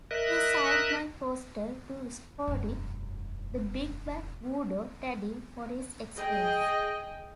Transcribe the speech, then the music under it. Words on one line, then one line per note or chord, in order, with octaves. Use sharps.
"He signed my poster 'To Scotty, the big bad voodoo daddy'," Morris explains.
A#4 D#5 E5 F#6
E1 F#2
G#4 D#5 G5